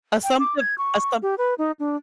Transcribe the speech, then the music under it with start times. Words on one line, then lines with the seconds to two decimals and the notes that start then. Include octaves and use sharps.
Assumptive assump
0.23 G5
0.39 D6
0.59 G#6
0.78 C#6
1.22 G4
1.38 B4
1.58 D#4
1.79 D4